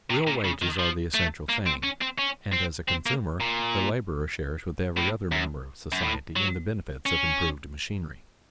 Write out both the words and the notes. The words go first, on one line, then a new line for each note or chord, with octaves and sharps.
Real wages are the essential thing, and as a consumer the laborer shares with every other member of society in the benefits of improved machinery.
C3
A#2
C#3
D#3
F3
A3
A#3
C4
C#4
C4
C#4
C4
C4
A#3
A#2
A2
F#2
F#2
A2
F#3
C#4